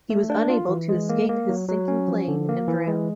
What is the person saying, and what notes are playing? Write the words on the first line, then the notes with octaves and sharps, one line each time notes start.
He was unable to escape his sinking plane and drowned.
A3
D4
F4
E3
G#3
A#3
A#3
F#3
F#3
C#4
F3
D3
A#3
E3
G#3